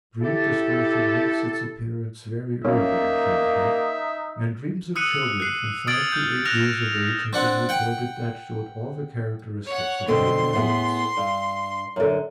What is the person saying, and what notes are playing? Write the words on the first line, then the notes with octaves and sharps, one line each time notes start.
Dream distortion makes its appearance very early in childhood, and dreams of children from five to eight years of age have been recorded that showed all the characteristics of later dreams.
E4 G4 A4
A#3 C#4 D#4 E5
D#6 E6 F#6 C#7 D#7
F#6 C7
D#6 F6 G#6 A6 D7 F#7
F6 G6
F6 F#6 A#6 E7 F7
C4 D4 F#5
F#5 G5
C#5 F#5
B2 D3 C4 C6
A2 B3 G#4
G2
F#2 D3